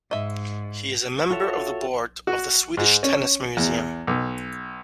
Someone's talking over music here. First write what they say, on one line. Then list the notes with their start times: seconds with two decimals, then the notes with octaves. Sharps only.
He is a member of the board of the Swedish Tennis Museum.
0.11 G#2 D#5 E5
1.30 F4 F#4 A4 C#5 E5
2.27 F#4
2.77 G#2
3.03 C#4
3.57 E2
4.07 B1